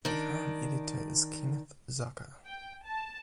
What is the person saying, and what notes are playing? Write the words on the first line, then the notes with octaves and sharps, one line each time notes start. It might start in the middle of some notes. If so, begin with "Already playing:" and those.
The current editor is Kenneth Zucker.
D#3 D4
G5
A5